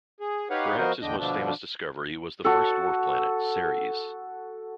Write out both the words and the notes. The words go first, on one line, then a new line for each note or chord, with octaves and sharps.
Perhaps his most famous discovery was the first dwarf planet, Ceres.
G#4
D#4 G4 B4 C#5 F5 F#5
F3 B3 F#4 A#4 C5 D#5
E2 D3 D4 D#5 G5 G6
B2 D3 F3 A3 D4
F#4 A4